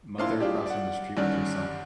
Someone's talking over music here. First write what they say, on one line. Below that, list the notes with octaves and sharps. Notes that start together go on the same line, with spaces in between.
Mother crossing the street with her son.
A#2 D4 E4 C5 F5 C6
G3 D4 F4 G4 G#4
D5 F#5
G2 D3 D#3 C#4 D5 F6